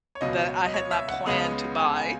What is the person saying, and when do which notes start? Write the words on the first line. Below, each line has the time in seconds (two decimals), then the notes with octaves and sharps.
that I had not planned to buy,
0.15 C#5
0.21 C#2 B2 F#3 C#4 D#5
0.66 D#5
0.74 C#5
0.91 E5
1.08 F#5
1.26 C#2 C#3 G#3 B3
1.79 G#5
1.96 G#5